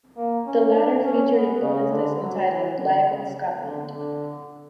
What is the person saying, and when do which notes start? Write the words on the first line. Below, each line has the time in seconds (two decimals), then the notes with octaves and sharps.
The latter featured a bonus disc entitled "Live in Scotland".
0.17 A#3
0.47 C#4
0.75 D4
1.04 C#4
1.33 B3
1.62 C#3
1.90 D3
2.20 F#3
2.48 E3
2.78 D3
3.06 C#3
3.64 D3
3.92 D3